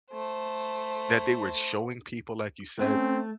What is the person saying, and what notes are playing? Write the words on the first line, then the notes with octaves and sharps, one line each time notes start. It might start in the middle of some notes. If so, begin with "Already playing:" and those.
that they were showing people, like you said,
A3 C5
A3 C4 C#4